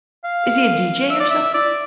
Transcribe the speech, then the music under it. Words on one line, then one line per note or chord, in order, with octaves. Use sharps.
Is he a DJ or something?
F5
E5
D5
E5
D5